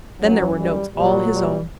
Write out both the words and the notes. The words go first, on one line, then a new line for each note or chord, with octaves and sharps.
Then there were notes all his own.
F#2 E3 F#3
G3
A#2 F#3 G3
G3